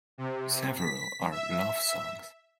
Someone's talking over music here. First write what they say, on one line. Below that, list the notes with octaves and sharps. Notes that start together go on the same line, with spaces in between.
Several are love songs.
C3
B6
E5